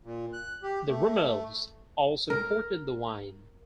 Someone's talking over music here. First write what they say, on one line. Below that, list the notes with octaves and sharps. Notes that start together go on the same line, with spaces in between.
The Romanovs also imported the wine.
A#2
F#6
G4
A3
A#4